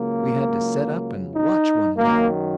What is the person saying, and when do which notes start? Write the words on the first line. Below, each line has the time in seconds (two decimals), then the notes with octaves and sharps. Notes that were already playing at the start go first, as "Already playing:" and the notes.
We had to set up and watch one another.
Already playing: C#2 C#3 F#3 A#3
1.34 D#4
1.97 F#2 D#3 F#3 A#3